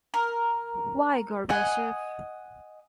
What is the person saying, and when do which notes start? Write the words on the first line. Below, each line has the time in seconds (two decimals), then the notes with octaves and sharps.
Why Gorbachev?
0.14 A#4
1.49 D#5 F#5 G#5